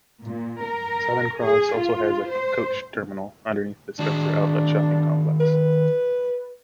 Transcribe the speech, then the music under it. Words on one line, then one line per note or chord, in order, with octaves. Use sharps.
Southern Cross also has a coach terminal underneath the Spencer Outlet shopping complex.
A#2
A#4
G#4
F4
C5
D#3 D4 F#4 G#4
B4